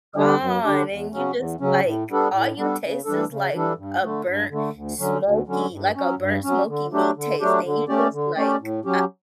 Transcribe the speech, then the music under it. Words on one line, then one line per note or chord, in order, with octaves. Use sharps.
gone, and you just, like, all you taste is, like, a burnt smoky like, a burnt smoky meat taste, and you just, like, uh
D3 G3 D4 G4
F#2
D3 G3 D4 G4
E2
C#3 F#3 C#4
E2
C#3 F#3 C#4
A2
G3 B3 D4 A4
A2
G3 B3 D4 A4
C#3
E3 G3 D4 A4
C#3
E3 G3 D4 A4
G2
D3 A3
G2
D3 A3
D2
D3 F#3 C#4
D2
D3 F#3 C#4
G2
F#3 C#4
G2
F#3 C#4
D3
F#3 A3 D4 G4
D3
F#3 A3 D4 G4
D3
A3 C#4 G4 D5
D3
A3 C#4 G4 D5
A2
F#3 C#4 G4